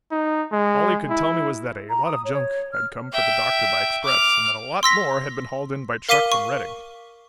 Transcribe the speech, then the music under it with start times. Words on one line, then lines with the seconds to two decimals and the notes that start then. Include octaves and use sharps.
All he could tell me was that a "lot of junk" had come for the Doctor by express and that a lot more had been hauled in by truck from Redding.
0.11 D#4
0.52 G#3
1.10 E4
1.89 A#5
2.05 D#6
2.24 C#5
2.71 F6
3.13 E5 G5
4.04 D6 F6
4.83 C6 E6 A#6 B6
6.09 A#4 F5 D6 B6 D#7 G7
6.32 C#6